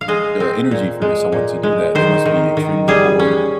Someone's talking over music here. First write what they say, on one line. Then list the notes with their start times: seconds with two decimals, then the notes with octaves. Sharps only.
uh, energy for someone to do that. They must be extremely bored or
0.01 F5
0.08 G#3 D#5
0.40 C4
0.71 A#2
1.02 G#3
1.32 A#2
1.63 G#3
1.95 D#3 C5
2.25 D#3
2.57 D#3
2.88 G3 G#4
3.19 C#4